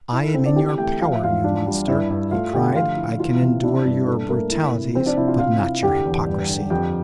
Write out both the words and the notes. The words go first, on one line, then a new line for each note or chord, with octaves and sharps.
"I am in your power, you monster!" he cried; "I can endure your brutalities, but not your hypocrisy."
E4
A4
D3 C4 C5
D4 D5
E3 G4 G5
A3 G4 G5
F3 F5
E5
E2 F4 F5
D4
G3
G2 E4 E5
G2
A3 F4 F5
D3 G4 G5
F3 F4 F5
E4
E3 F4 F5
C3
D4 E4 E5
G2
D4 A4
A3 A#3 A#4
E4
C3
F3 C4 C5
D4 D5
C3 E4 E5
F4 F5
E4 F4 F5
E4
D3 G4 G5
E2
G2
D3
F2 G4 G5